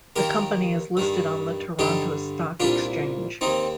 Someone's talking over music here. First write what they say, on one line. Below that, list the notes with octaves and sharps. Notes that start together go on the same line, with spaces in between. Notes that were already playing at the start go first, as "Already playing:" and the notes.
The company is listed on the Toronto Stock Exchange.
D#2 D#3 G4 A#4
G2 D#3
G2 D3 D#4 G4
C2 A#2 D4 F4
D#2 D#3 C4 D#4